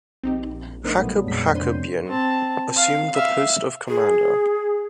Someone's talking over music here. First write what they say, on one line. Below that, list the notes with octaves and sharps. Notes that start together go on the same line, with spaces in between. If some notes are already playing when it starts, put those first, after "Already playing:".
Hakob Hakobyan assumed the post of commander.
A#1 C4 D#4 G4
A3 B3 D4 D#4 A#4 C5
B2 F#3 G3
F2 A#2 G#3 B6
C3 B3 D4 C5 C6 D#7
C4 A5
F5
E5 F5
G#4